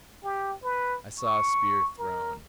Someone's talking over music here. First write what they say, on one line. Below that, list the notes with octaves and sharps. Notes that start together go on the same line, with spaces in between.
I saw a spear thrown.
G4
B4
C#6
A#4